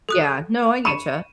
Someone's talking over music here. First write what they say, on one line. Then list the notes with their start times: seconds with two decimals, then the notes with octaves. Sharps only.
Yeah, no, I get ya.
0.09 A4 D#6 F#6
0.85 B5 C#6 D#7 E7